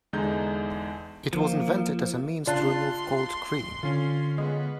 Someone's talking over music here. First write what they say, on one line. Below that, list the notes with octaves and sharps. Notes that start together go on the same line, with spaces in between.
It was invented as a means to remove cold cream.
E2 D3 G#3 D#4 G6
F3 A#3
C#3 D4 F4 A5 C6 F#6
D3 C#4 F4
G#3 B3